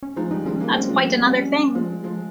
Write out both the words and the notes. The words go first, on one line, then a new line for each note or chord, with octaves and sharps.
That's quite another thing!
C#4
F3 G#3 D#4
D#3 G3 D#4
F3 G#3 C#4
C#4
G3 A#3
G#3 C4 C#4
F3 G#3
G3 A#3
G3 A#3 C4
C#4
F3 G#3
F3 G#3